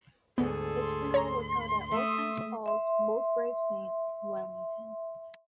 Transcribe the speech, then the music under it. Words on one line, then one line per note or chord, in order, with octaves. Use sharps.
His funeral was held at Old Saint Paul's, Mulgrave Saint, Wellington.
D2 G#2 D3 B3 G#4 A4
C6
C#5 A#5
A3 E5 D#6
E5 C6